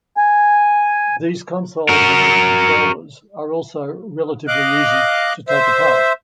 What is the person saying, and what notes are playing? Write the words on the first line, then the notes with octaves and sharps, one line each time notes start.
These consoles and their controllers are also relatively easy to take apart.
G#5
F#4 A#4
D#5 F5 D6 F#6
C5 E5